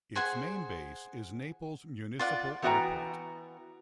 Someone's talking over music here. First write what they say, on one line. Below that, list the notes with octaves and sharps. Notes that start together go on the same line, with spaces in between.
Its main base is Naples Municipal Airport.
G#4 C5 F#5 G#5
F4 D5 F#5
E3 B3 F#4 D#5 G5 A#5